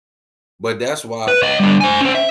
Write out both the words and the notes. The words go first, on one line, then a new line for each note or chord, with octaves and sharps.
But that's why
B4
C#5 D#5
D3 G3
C5 G#5
C#4 C5
E5